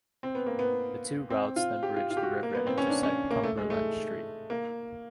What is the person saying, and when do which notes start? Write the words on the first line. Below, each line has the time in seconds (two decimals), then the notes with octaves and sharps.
The two routes then bridge the river and intersect Cumberland Street.
0.23 C4
0.35 B3
0.46 A#3
0.59 B3
1.30 C4
1.56 F4
1.83 G4
1.96 F4
2.11 F4
2.17 G4
2.23 F#4
2.43 A#3
2.55 B3
2.67 C4
2.78 C#4
2.90 D4
3.03 C#4
3.30 A#3
3.43 A3
3.57 G#3
3.70 A3
4.50 A#3